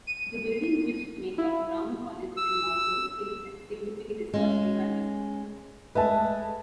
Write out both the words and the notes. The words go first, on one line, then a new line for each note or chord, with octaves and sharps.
The buildings which make up Brown College and Monroe Hill have significant historical value.
D#7
E4
E6
G#3 C#4
G#3 A3 B4 E5 A5